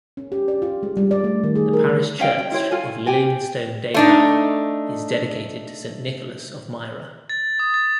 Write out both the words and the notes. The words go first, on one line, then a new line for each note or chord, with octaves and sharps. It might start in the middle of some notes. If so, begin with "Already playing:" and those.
The parish church of Lillingstone Dayrell is dedicated to Saint Nicholas of Myra.
C#4
G4
D5
F4
G#3
G3
D5
A3
D#3
G#4
A#4
D#3
C#4 D#5 F5 G5
G5
E4 C5 C#5 G5
F4 A4 G#5
G4 G5 G#5
A3 D4 D#4
A6
D#6
A6